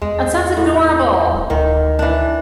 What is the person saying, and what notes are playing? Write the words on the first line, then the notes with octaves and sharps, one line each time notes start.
That sounds adorable.
E2 G#3
E2
A2
D1
D2 D#3
E3 D4